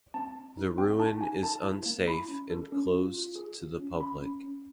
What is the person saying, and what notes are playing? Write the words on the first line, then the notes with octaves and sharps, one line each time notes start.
The ruin is unsafe and closed to the public.
C4 A5
C4
D#4
C4 G5
D#4 A5
D#4 G#5
A4 A5
E4
A#3
E4 B5
C#4
A4
C#4
F4
F4
G#4
F4
C#4
C#4 B5
C#4
C#4